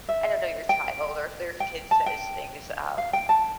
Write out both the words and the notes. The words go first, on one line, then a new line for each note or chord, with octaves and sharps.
I don't know your child or if their kid says things, uh,
E5
G5
G5
A5
G5
F5
G5
A5